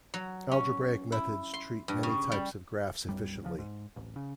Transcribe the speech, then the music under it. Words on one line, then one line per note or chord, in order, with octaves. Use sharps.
Algebraic methods treat many types of graphs efficiently.
F#3
C#4
E4
C6
G2
C#3
G3
B1 F#2 G3
F1 C#2 C#3 F3
G#2
D1 A1
C#3